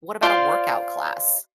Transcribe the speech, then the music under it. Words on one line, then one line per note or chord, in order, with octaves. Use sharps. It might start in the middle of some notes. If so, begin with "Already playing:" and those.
what about a workout class?
F4 C5 D5 C6